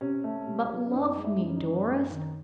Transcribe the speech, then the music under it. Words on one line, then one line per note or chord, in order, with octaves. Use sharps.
But love me, Doris.
C3 C#4
A3
C3
F#3
C#4
F#2 D#4
D#4
G#3
E4
F#2 D#4
C#4
D#4
F#2
F#2
D#3